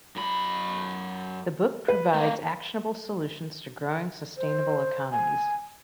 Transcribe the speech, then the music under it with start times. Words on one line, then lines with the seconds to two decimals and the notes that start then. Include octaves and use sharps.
The book provides actionable solutions to growing sustainable economies.
0.16 F#2 B5
1.88 B4
2.14 A3 F5
4.38 C5
5.11 G#5